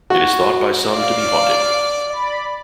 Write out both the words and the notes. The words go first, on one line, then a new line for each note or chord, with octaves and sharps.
It is thought by some to be haunted.
F#4
D5 F5
D5 B5